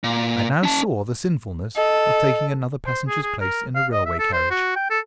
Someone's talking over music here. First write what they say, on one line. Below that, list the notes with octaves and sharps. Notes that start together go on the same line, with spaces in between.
I now saw the sinfulness of taking another passenger's place in a railway-carriage.
A#2
C#4 A5
A4 D#5
C5
G#4
G#4
A#4
F5
D#5
E5
A4
C5
F#4
G5
A4